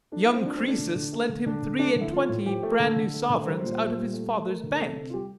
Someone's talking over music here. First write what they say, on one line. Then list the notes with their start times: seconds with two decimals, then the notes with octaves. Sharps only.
Young Croesus lent him three-and-twenty bran-new sovereigns out of his father's bank.
0.12 A3 D4
0.23 E4
0.28 A3
0.34 C4
0.45 F3 D4
0.56 C4
0.62 A3 D4
0.79 D3
0.96 D3
1.13 A3
1.29 D3
1.46 D3 D4
1.62 D3
1.79 A3 D4
1.96 D3
2.01 E4
2.12 F3 F4
2.29 A2
2.46 F3 G4
2.63 A3
2.79 D3 A4
2.96 D3
3.14 A3
3.30 D3
3.40 C5
3.46 G3 A#4
3.57 C5
3.63 A#2
3.68 C5
3.80 A#2
3.97 G3
4.13 A3
4.30 A3
4.47 A3 A#4
4.63 D3
4.73 A#4
4.81 C3 A4
4.97 C3
5.10 F4
5.14 G3 G4